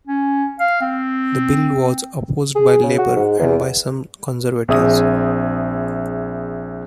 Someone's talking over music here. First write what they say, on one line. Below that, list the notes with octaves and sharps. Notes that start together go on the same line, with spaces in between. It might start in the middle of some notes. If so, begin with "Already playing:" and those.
The bill was opposed by Labour and by some Conservatives.
C#4
F5
C4
G#4
C#3
F#4
G#2
E2
A#1 C4 G#4 E5 D#6